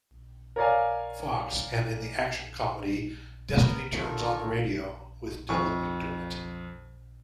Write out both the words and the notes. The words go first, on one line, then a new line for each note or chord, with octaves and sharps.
Fox, and in the action-comedy "Destiny Turns on the Radio" with Dylan McDermott.
A#4 C#5 D5 F5 G#5
B3 A#4
D3 D#3 F4 A4 A#4 C#5
F2 C#6